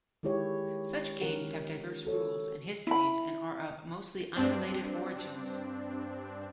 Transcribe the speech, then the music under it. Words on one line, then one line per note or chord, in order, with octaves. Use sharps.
Such games have diverse rules and histories and are of mostly unrelated origins.
D#3 G#3 E4 G4 C#5
D#3 C#4 A#4 F#5
F#4 A4 C#5
E4 B5
G2 C4 D4